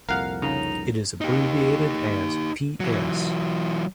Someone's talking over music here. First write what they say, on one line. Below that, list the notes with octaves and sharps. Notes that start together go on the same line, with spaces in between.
It is abbreviated as "ps".
C2 F2 A#2 A#4 F5 F#5
C#3 D#4
D#4 G4
E3 F#3